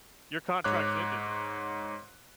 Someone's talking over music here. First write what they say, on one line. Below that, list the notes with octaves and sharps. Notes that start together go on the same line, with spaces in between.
your contract's ended.
G#2 C#5 D6 F#6